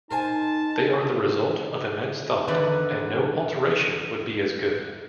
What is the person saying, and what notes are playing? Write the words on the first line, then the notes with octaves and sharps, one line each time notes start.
They are the result of immense thought, and no alteration would be as good.
D#4 A#4 C5 G#5 A5
E2 D3 D#3 B4